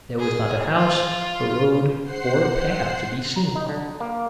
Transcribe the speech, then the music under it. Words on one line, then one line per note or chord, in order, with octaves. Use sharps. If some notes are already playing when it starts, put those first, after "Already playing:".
There was not a house, a road, or a path to be seen.
G#4
F4
C5 F#5 C7
A#5
D#4
D3
A#3